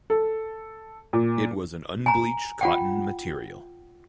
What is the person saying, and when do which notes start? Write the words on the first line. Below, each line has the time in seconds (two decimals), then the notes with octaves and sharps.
It was an unbleached cotton material.
0.10 A4
1.13 A#2
2.06 G#5 A#5
2.61 F4 F#5 G5